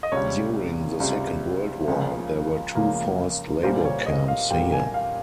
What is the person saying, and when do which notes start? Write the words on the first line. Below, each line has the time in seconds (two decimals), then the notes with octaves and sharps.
During the Second World War, there were two forced labor camps here.
0.03 D#5
0.12 C#2 C3 G3 C#5
1.00 C#2 C3 G3
1.88 C#2 C#3 F3 A#3
2.75 C#2 C#3 F3 A#3
3.63 C2 A#2 G3 A#3 C5
3.85 C#5
4.06 D#5
4.28 F5
4.50 C2 A#2 G3 A#3 G5
4.72 G#5
4.94 F5